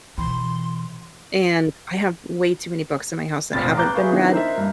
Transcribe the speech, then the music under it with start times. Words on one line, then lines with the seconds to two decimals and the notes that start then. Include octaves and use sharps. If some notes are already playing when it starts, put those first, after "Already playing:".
and, I have way too many books at my house that haven't been read.
0.18 B2 E3 G5 B5 C6
3.53 F1 A#1 C4 B5 A6
3.75 B4 A#5 D6 F#6 G6
3.93 G#4 B4 E5 F5 C#6
4.11 D#3 F3 B3 C4 D4 E4
4.32 A#4 C5 D#5 E5
4.55 G2 A#3 A#4